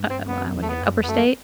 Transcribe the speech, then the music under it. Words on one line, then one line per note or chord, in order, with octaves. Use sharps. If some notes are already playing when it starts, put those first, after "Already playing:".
uh uh, why I woulda get li upper state?
Already playing: G2
C4
F#2 B3
E2
A3
B3
F#2
E2
B3
F#2 A3